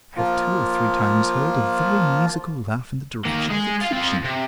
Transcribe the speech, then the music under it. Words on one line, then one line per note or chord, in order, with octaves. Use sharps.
I have two or three times heard a very musical laugh in the direction of the kitchen.
F3 A#3 F4
D#3 A#3
G#3 G#4
F4 F5
C4 F4
C3